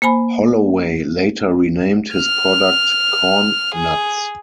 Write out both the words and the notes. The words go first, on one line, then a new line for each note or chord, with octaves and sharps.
Holloway later renamed his product CornNuts.
A#3 C5 G#5 B5
F6
G#4